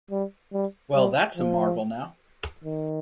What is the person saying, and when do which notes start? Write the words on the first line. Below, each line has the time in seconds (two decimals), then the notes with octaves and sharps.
Well, that’s a marvel, now!
0.11 G3
0.53 G3
0.95 G3
1.37 F3
2.64 D#3